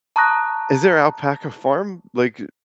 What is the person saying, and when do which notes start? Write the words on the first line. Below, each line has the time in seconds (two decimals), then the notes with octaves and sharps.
Is there a alpaca farm, like, uh,
0.16 A5 A#5 C#6 D#6 F#6 A#6